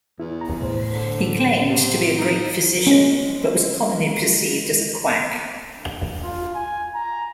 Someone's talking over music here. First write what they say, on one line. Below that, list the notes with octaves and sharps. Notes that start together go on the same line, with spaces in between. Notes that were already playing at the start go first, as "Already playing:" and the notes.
He claimed to be a "great physician", but was commonly perceived as a quack.
E2 E4
A#5
C2 A2 C5
D3
C3
D#4
G#3 C#4
F4
G#5
A#5